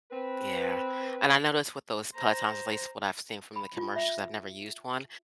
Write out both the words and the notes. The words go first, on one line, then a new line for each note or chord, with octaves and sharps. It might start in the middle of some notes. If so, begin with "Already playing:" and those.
Yeah, and I noticed with those pelotons, at least what I've seen from the commercials, I've never used one.
C4 B4
C5 A#5
B5
F4
E5